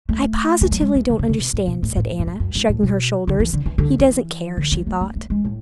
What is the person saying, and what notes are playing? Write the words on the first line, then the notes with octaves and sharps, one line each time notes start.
"I positively don't understand," said Anna, shrugging her shoulders--"He doesn't care," she thought.
A3
E3
F#3
G#3
E3
D3
C#3
C#3
B2
A2
B2
A2
A2
G#2
F#2
F#2
G#2
A2
B2
D3
E3
D3
E3
D3
E3
D3
F#3
A3
A3
A3
G#3
A2